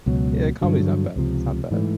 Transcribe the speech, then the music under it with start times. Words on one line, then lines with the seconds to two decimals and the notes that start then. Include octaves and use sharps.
Yeah, comedy's not bad, it's not bad.
0.06 C#2 B2 F#3
0.61 G2 D3 F#3
1.16 C#2 C3 F3
1.71 G#2 E3 A3